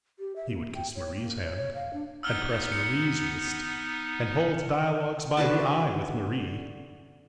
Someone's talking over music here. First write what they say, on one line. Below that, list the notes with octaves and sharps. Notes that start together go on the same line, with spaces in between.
He would kiss Marie's hand, and press Marie's wrist, and hold dialogues by the eye with Marie.
G4
E5
A#3
G5
C#5
A#3
C#5
C#5
F5
D4
B3 D#4 E6 F6 G7
C#7
D3 F#4 B4 A5